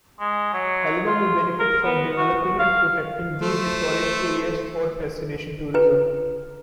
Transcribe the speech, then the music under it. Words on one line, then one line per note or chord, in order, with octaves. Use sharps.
Helena may benefit from developing and protecting these historic areas for destination tourism.
G#3
F#3
F4
A#4
B3
F#4
F#4
F5
A3 C5
F4 B4